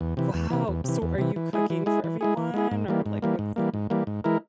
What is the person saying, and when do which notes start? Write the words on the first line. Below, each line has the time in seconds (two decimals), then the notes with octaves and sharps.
Wow. So are you cooking for everyone or, like, what mm
0.01 E2
0.17 C3 E3
0.34 E2
0.50 C3 E3
0.68 E2
0.84 C3 E3
1.02 E2
1.18 C3 E3
1.36 E3
1.53 G#3 E4 G#4
1.70 E3
1.86 G#3 E4 G#4
2.04 E3
2.21 G#3 E4 G#4
2.37 E3
2.54 G#3 E4 G#4
2.71 G#2
2.88 E3 G3 A#3
3.06 G#2
3.22 E3 G3 A#3
3.39 G#2
3.56 E3 G3 A#3
3.74 G#2
3.90 E3 G3 A#3
4.07 G#2
4.24 E3 G#3 E4 A#4